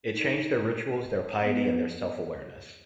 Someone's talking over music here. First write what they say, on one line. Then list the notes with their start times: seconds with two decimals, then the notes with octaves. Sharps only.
It changed their rituals, their piety, and their self-awareness.
0.15 D#4
1.44 B3